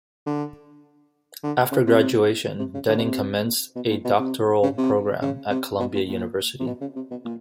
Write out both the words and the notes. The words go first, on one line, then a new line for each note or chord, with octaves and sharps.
After graduation, Dunning commenced a doctoral program at Columbia University.
D3
D3
C#3
C3
C3
C#3
D3
B2
C3
B2
A#2
B2
C3
C#3
C3
C#3
C3
B2
A#2
A#2
C3
B2
C#3
C3
B2
A#2